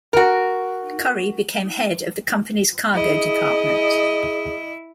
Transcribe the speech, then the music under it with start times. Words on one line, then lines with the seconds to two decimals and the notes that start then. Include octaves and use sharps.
Currie became head of the company's cargo department.
0.13 F#4 A#4
2.95 E4 G#4 D#5